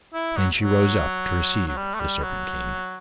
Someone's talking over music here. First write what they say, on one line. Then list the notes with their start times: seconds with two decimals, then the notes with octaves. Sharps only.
Then she rose up to receive the Serpent King.
0.14 E4
0.37 F#3
0.58 F#3
1.68 F#3
1.77 G3
1.94 A3
2.00 G3
2.23 F#3